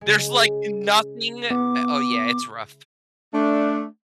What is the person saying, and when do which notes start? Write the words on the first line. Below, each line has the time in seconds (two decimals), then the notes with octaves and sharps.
There's, like, nothing uh, oh yeah, it's rough.
0.01 C#3 G#3
1.51 B3 E4 D6
3.33 A3 D4